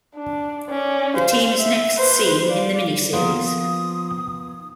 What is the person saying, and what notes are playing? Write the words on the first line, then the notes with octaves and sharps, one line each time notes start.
The team is next seen in the mini-series.
D4
C#4 D5
C5 F5
E5
B4 C5
D5 F5
F3 A#3 B3 F4 D#6